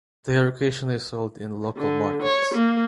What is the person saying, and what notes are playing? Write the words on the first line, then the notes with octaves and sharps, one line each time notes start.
They are occasionally sold in local markets.
D3
C#5
A#3